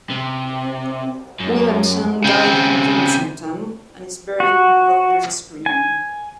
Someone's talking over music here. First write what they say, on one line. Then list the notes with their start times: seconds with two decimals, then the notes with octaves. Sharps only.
Williamson died in Kensington and is buried in Golders Green.
0.11 C3
1.40 F#2
2.24 C#3 C4
4.40 F#4
5.66 G#5